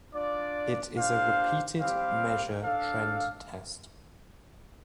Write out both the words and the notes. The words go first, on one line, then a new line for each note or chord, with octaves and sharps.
It is a repeated measure trend test.
D4 F4 D5
D4 G4 C5 F5
G3 C4 G4 F5
D4 A4 F5